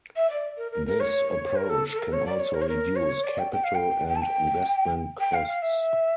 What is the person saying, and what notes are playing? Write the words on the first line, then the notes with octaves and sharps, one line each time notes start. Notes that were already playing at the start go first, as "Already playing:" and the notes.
This approach can also reduce capital and investment costs.
E5
D5
A#4
A#4
A#4
C#5
A#4
A4
A4
A#4
C#5
D5
C#5
A#4
C#5
A#4
C#5
D5
G5
G5
F5
G5
G5
A5
G5
G5
F5
F5
E5